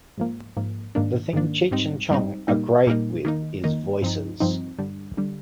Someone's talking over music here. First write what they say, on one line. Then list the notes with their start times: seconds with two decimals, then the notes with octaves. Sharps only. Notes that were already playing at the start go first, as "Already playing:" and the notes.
The thing Cheech and Chong are great with is voices.
0.18 G#2 F3 A#3
0.57 G#2 F3 A#3
0.95 G#2 D#3 A#3 D4
1.33 G#2 D#3 A#3 D4
1.71 G#2 G3 C4 D#4
2.10 G#2 G3 C4 D#4
2.48 A#2 G3 A#3 D#4
2.87 A#2 G3 A#3 D#4
3.25 D#3 A#3 D#4
3.64 D#3 A#3 D#4
4.02 G2 F3 C4 D#4
4.40 G2 F3 C4 D#4
4.79 G2 D3 G3
5.17 D3 G3